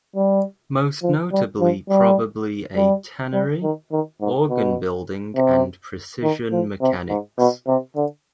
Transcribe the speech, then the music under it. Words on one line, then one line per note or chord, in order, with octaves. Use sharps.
Most notably probably a tannery, organ-building and precision mechanics.
G3
F3
G3
F3
G3
G3
G3
D#3
D#3
G#2
B2
C3
D#3
F3
C3
G#2
B2
C3
D3